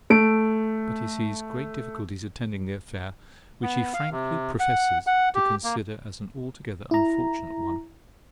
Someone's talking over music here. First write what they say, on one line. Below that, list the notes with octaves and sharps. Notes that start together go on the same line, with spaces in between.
But he sees great difficulties attending the affair--which he frankly professes to consider as an altogether unfortunate one.
A3 D7
B3
F5
C3
F#5
F#5
G4
A#3
E4 A#5